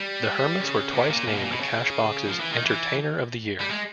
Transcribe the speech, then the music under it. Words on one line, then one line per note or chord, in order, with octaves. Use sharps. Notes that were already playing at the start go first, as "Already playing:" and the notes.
The Hermits were twice named Cashbox's "Entertainer of the Year".
Already playing: G3
C#3
C3
A#2
A#2
B2
A#2
B2
C#3
F3
E3
D#3
E3
G3
G#3